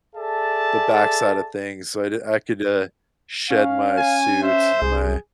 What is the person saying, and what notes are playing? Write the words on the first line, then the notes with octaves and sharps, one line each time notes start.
the backside of things, so I d I could, uh, shed my suit and my
G#4 A4 D5 E5 A5
C#4 F5
G#5
C5 E5
C2 G#4